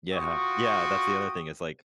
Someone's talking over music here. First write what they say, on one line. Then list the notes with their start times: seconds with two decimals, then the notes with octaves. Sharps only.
Yeah. Yeah, that's the other thing, it's like,
0.12 F4 F#4 G5 C#6 D#6